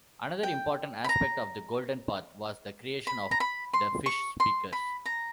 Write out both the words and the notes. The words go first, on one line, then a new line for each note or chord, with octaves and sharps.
Another important aspect of the Golden Path was the creation of the Fish Speakers.
G5
B5
A#5
B5
A#5
B5
C6
C#6
C6
B5
A#5